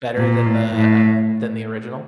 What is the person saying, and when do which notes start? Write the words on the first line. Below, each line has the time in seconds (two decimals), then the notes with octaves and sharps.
Better than the, um, than the original?
0.17 A#2
0.46 A2
0.75 A2